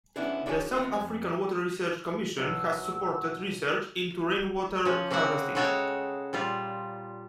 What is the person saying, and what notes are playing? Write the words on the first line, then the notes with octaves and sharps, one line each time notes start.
The South African Water Research Commission has supported research into rainwater harvesting.
B3 C#4 D4 E4 G#4
D4 E4 F#4 G#4 C#5 G#5
D#3 B3 C4 F4
F2 G#5
B1 F#4 E6
F3 C#4
C#3 A#3 C4 F#4 F#5
C#3 G#3 F#4 A4 C#5 G5
A#2 G3 F4